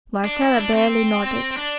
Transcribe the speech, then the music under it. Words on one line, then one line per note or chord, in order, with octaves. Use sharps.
Marcella barely nodded.
D4
E4
D4
C4
D4